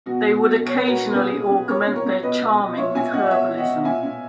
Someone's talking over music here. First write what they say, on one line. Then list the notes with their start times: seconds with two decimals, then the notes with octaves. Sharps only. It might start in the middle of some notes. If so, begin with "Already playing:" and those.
They would occasionally augment their charming with herbalism.
0.06 B2 F#4
0.24 B2
0.33 F#4
0.43 B2
0.60 B2
0.65 C#5
0.76 B2 B4
0.87 F#4 A#4
0.96 B2
1.10 A#4
1.14 A#2 G#4 B4
1.32 A#2
1.51 A#2
1.68 A#2 A#4 C#5
1.87 A#2
1.96 A#4 C#5
2.05 A#2
2.23 B2 B4 D#5
2.41 B2
2.59 B2
2.77 A#2 C#5 E5
2.95 A#2 E5 G#5
3.13 A#2 D#5 F#5
3.26 F#5
3.31 B2 C#5 E5
3.49 B2
3.58 D#5 F#5
3.68 B2
3.85 A#2 E5 G#5
4.03 A#2